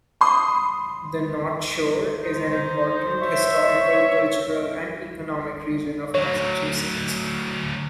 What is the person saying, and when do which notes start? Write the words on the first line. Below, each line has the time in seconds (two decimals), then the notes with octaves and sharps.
The North Shore is an important historical, cultural, and economic region of Massachusetts.
0.21 B5 C6 D#6
2.23 D#4 C5
3.21 C#5 E5
6.15 D2 F#3 C#5